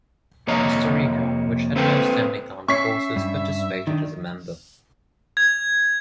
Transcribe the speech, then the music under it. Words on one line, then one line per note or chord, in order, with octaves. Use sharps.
Costa Rica, which had no standing armed forces, participated as a member.
F2 C3 A#3 C#5 D#5 A#5
A3 C4 A4 B4 C5 G5
C#4 E5 C#6 B6 C7
G2
D#3 D4 D#4
G#6